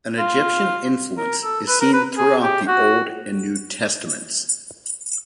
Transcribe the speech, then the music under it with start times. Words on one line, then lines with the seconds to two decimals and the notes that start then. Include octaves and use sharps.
An Egyptian influence is seen throughout the Old and New Testaments.
0.18 F4
1.18 A#4
1.44 A4
1.68 B4
1.80 A#4
1.93 B4
2.18 G#4
2.43 G4
2.68 F#4